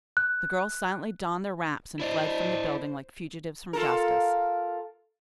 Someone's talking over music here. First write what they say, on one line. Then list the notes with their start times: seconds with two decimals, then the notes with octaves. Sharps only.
The girls silently donned their wraps and fled from the building like fugitives from justice.
0.17 F#6
2.00 E4 C5 D5 D#5
3.73 F4 A4 A#4